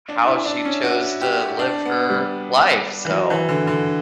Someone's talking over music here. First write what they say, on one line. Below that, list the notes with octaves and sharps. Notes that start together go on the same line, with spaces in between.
how she chose to live her life, so
D4
E4
D4
C#4
F#4
G4
D4
B3
G3
E3
F#3
E3
D3
D3